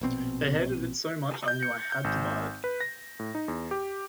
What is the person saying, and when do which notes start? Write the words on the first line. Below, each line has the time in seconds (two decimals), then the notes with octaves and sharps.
They hated it so much I knew I had to buy it.
0.01 A#1 B2 C4
1.48 G6
1.63 C#7
1.92 G6
2.04 G#1
2.64 B4
2.81 A#6
3.19 A2
3.35 D#4
3.48 E2
3.71 G4